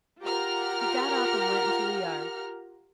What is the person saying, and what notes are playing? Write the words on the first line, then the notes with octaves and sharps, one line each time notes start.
He got up and went into the yard.
F4 G4 A#4 F#5 A#5 F6